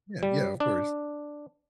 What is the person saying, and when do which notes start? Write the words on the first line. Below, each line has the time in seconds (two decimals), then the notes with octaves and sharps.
Yeah, yeah, of course.
0.23 G3
0.60 D4